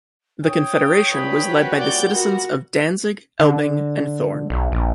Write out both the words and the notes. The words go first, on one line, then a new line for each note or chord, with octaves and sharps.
The Confederation was led by the citizens of Danzig, Elbing, and Thorn.
C#5 G5 D#6
C2 G2 A#2 B4
F#4
A#2 G3 B3 D5 G6
F#4 A#4
D3
B1
A#1